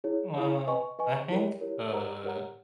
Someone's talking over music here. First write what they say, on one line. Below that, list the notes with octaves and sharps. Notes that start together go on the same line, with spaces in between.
Well, I think, uh,
E4 G#4 C#5
E4 G#4 C#5
B4 D#5 G#5 C#6
B4 D#5 G#5 C#6
E4 G4 A#4 C#5
E4 G4 A#4 C#5
G4 A#4 C#5 F#5 A#5
G4 A#4 C#5 F#5 A#5